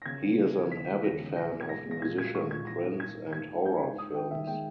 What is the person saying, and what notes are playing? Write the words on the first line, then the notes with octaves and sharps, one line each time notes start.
He is an avid fan of musician Prince and horror films.
A#6
C#3 G#6
C#3
C#3
E3
D#2 B6
G#3
D#2 A#6
C#3
A#2 A#6
A#2
G#6
G#3 A#6
G#3
A#6
A#2 G#6
A#2 G#6
G#3 C#6
A#2 G#6
E3 A#6
G#2
G#2 G#6
G#2
G#2 G#6
G#2
G#3 G6
G#2
G#2 D#6
D#3 G5
D#3 E5
G#3 G5